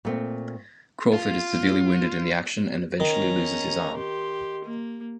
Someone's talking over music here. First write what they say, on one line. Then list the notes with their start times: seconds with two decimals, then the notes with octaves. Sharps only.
Crawford is severely wounded in the action and eventually loses his arm.
0.05 A#2 A3 C4
1.13 F4
3.00 D#3 C#4 A#5
3.95 G4 C6
4.65 A#3